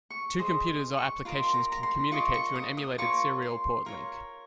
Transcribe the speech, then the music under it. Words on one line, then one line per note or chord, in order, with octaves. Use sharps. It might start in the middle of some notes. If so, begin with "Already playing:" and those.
Two computers or applications can communicate through an emulated serial port link.
C#6
G#4 C5 D#5 D#6
D#6
C#6
F4 A#4 D#5 C6
A#5
A#5
C6
F4 A#4 D#5 C#6
C#6
D#6
D#6
F4 A#4 C#5 C#6
C6
F4 A#4 C#5